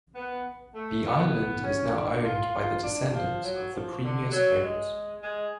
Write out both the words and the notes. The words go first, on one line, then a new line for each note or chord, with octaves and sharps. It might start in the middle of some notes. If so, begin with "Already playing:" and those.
The island is now owned by the descendants of the previous owners.
B3
A3
B3
C#4
D4
F4
F4
D4
F3
F#3
F3
D3
F#3
G#3
G#3